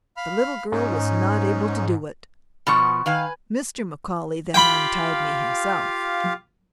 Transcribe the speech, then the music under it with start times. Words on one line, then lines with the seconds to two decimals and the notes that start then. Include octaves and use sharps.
The little girl was not able to do it; Mr. McCaully then untied me himself.
0.17 F5 B5 F6
0.72 G#2 C#4 D#4
2.67 B2 F3 B3 A5 C#6
3.06 D#3 B4 F5 G#5
4.54 F4 G4 F5 G5 B5